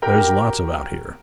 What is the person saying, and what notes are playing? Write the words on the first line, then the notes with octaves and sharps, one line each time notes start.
'There's lots about here.'
F#4 G4 A#4 G5